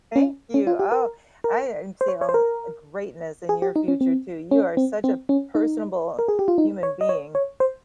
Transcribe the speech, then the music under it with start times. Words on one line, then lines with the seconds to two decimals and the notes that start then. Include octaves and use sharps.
Thank you. Oh, I, um, see, um, a greatness in your future too. You are such a personable human being.
0.16 C#4
0.54 C#4
0.67 F4
0.79 G4
0.92 A#4
1.44 A#4
2.01 C5
2.08 C#5
2.21 C#5
2.29 C5
2.34 A#4
3.49 G#4
3.62 G4
3.76 D#4
3.88 C#4
4.01 C4
4.51 C#4
4.77 C4
5.04 C4
5.29 C#4
5.55 D#4
6.19 A#4
6.28 G#4
6.39 G4
6.48 F4
6.58 D#4
6.83 C#5
7.01 D#5
7.09 C#5
7.35 C#5
7.60 C5